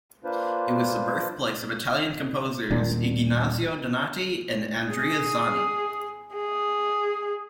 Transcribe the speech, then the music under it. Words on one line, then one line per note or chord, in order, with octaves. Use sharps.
It was the birthplace of Italian composers Ignazio Donati and Andrea Zani.
A#3 D4 F4 B4 C5
D#1 A#2 D4
G#4
G#4